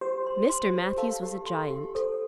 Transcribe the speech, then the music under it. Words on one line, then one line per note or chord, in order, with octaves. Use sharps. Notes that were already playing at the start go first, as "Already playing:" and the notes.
Mr. Matthews was a giant.
G4 C5
C6
C6
G4
A4 F5
G4
C6
G4
A4 C5